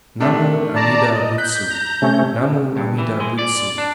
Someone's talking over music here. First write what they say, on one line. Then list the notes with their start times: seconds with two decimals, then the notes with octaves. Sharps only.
"Namu Amida Butsu, Namu Amida Butsu."
0.20 C3 A3 D4
0.76 D5 A5 A#5
1.13 D#5
1.38 F#6 G6 B6
1.70 A#5
2.02 C3 A3 C#4
2.77 G2
2.98 E3
3.20 G#3
3.39 D5
3.78 D4